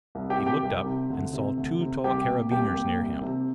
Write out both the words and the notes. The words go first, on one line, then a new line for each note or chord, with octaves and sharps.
He looked up and saw two tall Carabineers near him.
C2
G4 G5
C3
G4 G5
C2
C3
D2
C3
D2
C3
C2 G4 G5
A#2
C2 G4 G5
A#2
C2
C3